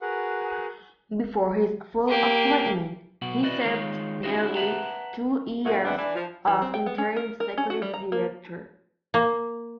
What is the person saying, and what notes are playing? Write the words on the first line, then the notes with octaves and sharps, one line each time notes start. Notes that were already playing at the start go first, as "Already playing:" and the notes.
Before his full appointment, he served nearly two years as interim Executive Director.
F#4 G#4 A#4 B4 F#5
A#3 G4
B1 B2 F#4
E4 F#4 B4 D5 D#5
D#3 G#3 D#4 F4 C#5
C#4 D#4 E4 F#4 C5
B4 E5 F#5 A5 A#5
A#2 G#3 A3 C4 D4 F#4
E2 C4 D4 B4 E5 F#5
E3 D4
F3
E3
C4
G5
B3
C#4
A#4
A#4
C#4
F#4
G3
A#5
A#3
A#3